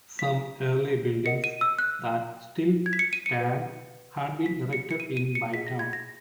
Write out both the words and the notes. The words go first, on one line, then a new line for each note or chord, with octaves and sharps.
Some early buildings that still stand had been erected in Bytown.
B6
A#4 D#5 F#5 C#7
D#7
E6
F#6
G#6
B6
C#7
D#7
C#7
B4 F#5
B6
C#7
C#7
D#7
D#7
C#7
G#4 D#5 F#5 B6
A#6
G#6
A#6